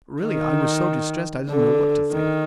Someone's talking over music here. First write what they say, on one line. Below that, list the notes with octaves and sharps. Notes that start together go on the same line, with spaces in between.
Really I was so distressed, I didn't know what to think.
D#3
D3
D#3